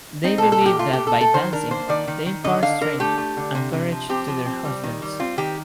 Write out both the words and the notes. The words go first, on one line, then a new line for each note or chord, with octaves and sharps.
They believe that by dancing they impart strength and courage to their husbands.
C4 D#4
A#2 A4
A4
A#2 G4
A3 F4
A#2 G4
A4
A3
A4
D#3 C5
D4 A#4
A#3 C5
D#3 D5
D#3
D#3
D3 D#5
D3 F5
D3 A#4
A3 G4
A3
D3
C3
C3
F3
C4 G4
F3
C4
G3
D#3
G3
C4 F4
D#3 G4